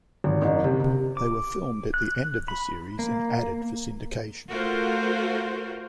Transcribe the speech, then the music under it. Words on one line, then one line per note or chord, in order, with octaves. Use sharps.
They were filmed at the end of the series and added for syndication.
G#1
F#1
C3
C3
D6
F#6
B5
A#3
A3 F4 F#4 A#4 C5